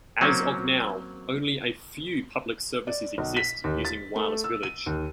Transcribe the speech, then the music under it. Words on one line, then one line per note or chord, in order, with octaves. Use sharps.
As of now, only a few public services exist using Wireless Village.
F#3 A#3 C4 C#4
D5
B1
B6
D#2
A6
A3
E6
D#7
D#2